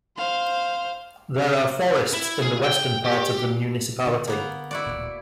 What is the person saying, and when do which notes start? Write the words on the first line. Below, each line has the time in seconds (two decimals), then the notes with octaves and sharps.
There are forests in the western part of the municipality.
0.17 C5 F5
2.13 E4
2.42 G#4
2.64 G5
3.05 G4
4.07 D3
4.27 A#3 B3 A#5
4.71 E4 F#4 D5
4.87 D1 G1 A#2